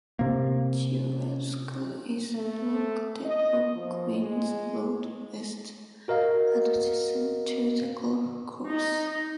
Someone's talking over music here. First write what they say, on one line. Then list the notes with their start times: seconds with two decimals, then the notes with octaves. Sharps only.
Chilwell School is located off Queens Road West adjacent to the golf course.
0.19 C3 A#3
2.35 A3
3.25 D#5
3.74 F3
4.20 G#3
6.08 F#4 A#4 D#5 F5
8.67 D#4